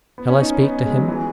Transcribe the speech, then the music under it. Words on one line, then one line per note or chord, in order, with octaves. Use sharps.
Shall I speak to him?
B3
C#4
D#4
C#4
B3
G#3
F#3
E3